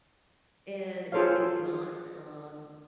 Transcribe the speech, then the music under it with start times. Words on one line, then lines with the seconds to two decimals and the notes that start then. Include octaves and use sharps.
and it it's not, uh,
1.12 F4 G#4 A4 C5 C#5 F5